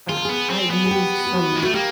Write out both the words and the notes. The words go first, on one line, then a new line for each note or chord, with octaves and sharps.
Um, I moved from
F4 G#4
A4
B3 G#4
C4
B3
G#4
G4
G4
F#4
G#3 F4
A3 F#4
A#3 G4